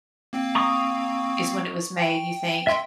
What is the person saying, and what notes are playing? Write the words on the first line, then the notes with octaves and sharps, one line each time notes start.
i is when it was made, you think?
A#3 C4 F5
A#5 C#6 D#6
G5
E5 C6